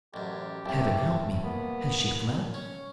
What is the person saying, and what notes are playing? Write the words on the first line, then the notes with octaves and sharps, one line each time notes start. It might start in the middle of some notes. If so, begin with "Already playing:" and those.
Heaven help me! has she fled?
A1 F#2 G4
C2 A2 E5 G5
A#3 B3
C#4 C#5